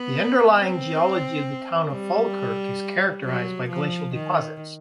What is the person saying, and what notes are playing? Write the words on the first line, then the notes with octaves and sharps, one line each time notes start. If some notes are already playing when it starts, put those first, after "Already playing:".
The underlying geology of the town of Falkirk is characterised by glacial deposits.
Already playing: B3
C4
G3
F#3
F3
D#3